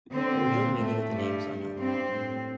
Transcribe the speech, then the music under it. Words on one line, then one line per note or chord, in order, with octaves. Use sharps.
The original meaning of the name is unknown.
D3 C4
A#2
A2 A3
G2
G2 C4
A2